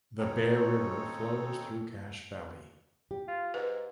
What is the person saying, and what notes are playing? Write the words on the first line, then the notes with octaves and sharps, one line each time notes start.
The Bear River flows through Cache Valley.
D#2 C4 C#4 D#4 A4 C#5
G4
F4
G#2 B4